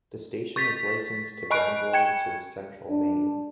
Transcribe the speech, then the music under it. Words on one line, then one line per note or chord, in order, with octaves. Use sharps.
The station is licensed to Bangor and serves Central Maine.
C#6 A6 B6
D#5 G#5 B5 C#6 F#6 D7
G5 G#6 C#7
D4